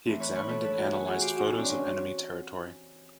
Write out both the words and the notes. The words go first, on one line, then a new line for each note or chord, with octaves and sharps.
He examined and analysed photos of enemy territory.
A2 E3 A3 C4
B4 C#5
B4 C#5
A4 B4
A4 B4
E4 F#4
F#4 G#4
F#4 G#4
F4 G4
F#4 G#4
C#4 D#4
C4 D4
C#4